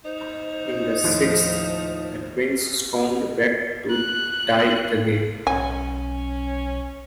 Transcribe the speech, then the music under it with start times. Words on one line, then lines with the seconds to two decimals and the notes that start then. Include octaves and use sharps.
In the sixth, the Twins stormed back to tie the game.
0.05 D#4 C5
1.04 D#2 A2 F3
3.91 F#6
5.47 B1 C#4 G#5